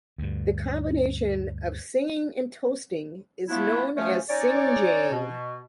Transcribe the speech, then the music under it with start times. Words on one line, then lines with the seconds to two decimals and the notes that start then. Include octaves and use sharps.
The combination of singing and toasting is known as singjaying.
0.18 D2 G2
3.48 F3 A3 B3 D4 E4
3.97 F3 A3 C#4
4.29 C#4 D#4 C#5 D5
5.10 B2